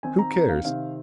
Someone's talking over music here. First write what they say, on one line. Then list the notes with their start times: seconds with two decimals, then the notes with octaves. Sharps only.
Who cares?
0.03 D#3 C4 D#4 G#5
0.19 A#5
0.33 A#5
0.49 F5
0.64 C3 D#3 C4 D#4 F5